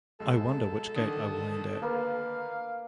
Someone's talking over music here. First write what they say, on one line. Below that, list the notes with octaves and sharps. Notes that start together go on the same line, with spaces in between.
I wonder which gate I will land at.
B1 G#3 A4 E6
D3 D#3 D#6
A#3 B4 F5